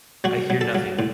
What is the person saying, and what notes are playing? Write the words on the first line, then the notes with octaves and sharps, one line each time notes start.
I hear nothing!
F#3 F#4
F#3
A4
F#3
A2